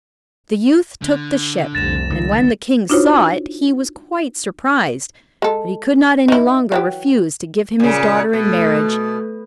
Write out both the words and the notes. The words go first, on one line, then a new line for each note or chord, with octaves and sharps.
The youth took the ship, and when the king saw it he was quite surprised; but he could not any longer refuse to give him his daughter in marriage.
D3
F1 C2 A6 A#6 E7
C#2 D#3
D4 D#4 F4 F#4 C5 C#5
G#3 A4
D#4 E4
E3 F#3 G4
A#2 C#3
B2 A3